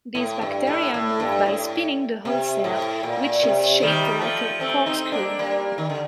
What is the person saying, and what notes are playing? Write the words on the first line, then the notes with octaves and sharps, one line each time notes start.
These bacteria move by spinning the whole cell, which is shaped like a corkscrew.
A2
G2
A2
A2
G2
A2
C3
A2
A#2
C3
D#3 G3
F3 A3
A3 C4
C4 D#4
A#3 D4
G3 A#3
D#3
D3